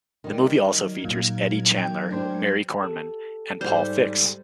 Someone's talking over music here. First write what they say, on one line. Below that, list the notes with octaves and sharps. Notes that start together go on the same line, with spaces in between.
The movie also features Eddy Chandler, Mary Kornman, and Paul Fix.
D#3 G3 D5 F#5
F#3 A#4 G#6
A#2
G5
D4 C5
G4 A4
G#2 G3 C5